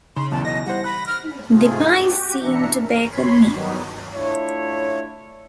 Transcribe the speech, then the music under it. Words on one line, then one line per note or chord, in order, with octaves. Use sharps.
The pie seemed to beckon me.
C#3 D#4 C6
B1 E2 A5
D#5 A#6
G3 E4 C5 F#5
B5 F#6
F6
G#2 C3 A3 F4 G#4
F#4 G4
B2 E3 D4 E5 A#5 C#7
A#4
C#5 B5 C6
D#3 F#3 G3 B3 D#4
A3 D4 E4 F4 C#5